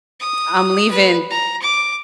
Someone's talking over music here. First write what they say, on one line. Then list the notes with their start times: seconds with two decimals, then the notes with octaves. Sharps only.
I'm leaving
0.20 D#6
0.90 B4
1.30 A#5
1.62 D6